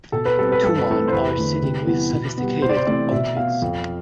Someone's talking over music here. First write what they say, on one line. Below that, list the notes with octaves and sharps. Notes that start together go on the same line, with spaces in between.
Two man are sitting with sophisticated outfits.
B2 A4
B4
G3 C4 A4
B4
G2 A4
B4
E3 A3 C4 A4
C5
E2 B4
D3 A3
C3
E3 G3 B3
B2
G3 B3
C3 C5
D5
C5
E3 A3 C4 D5
B2 E5
B3 F5
F2